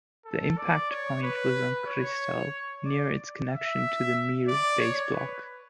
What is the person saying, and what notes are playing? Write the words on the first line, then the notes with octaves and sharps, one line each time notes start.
The impact point was on Kristall, near its connection to the Mir base block.
A4
D5
C#5
B4
C#5
D5
E5
D5
C#5
B4